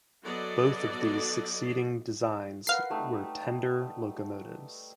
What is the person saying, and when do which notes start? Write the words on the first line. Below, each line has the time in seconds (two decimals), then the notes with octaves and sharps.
Both of these succeeding designs were tender locomotives.
0.23 F#3 B3 F#4 A4 D5 D#5
2.67 A#4 B4 F5 F#5 C7
2.90 G3 A3 D#4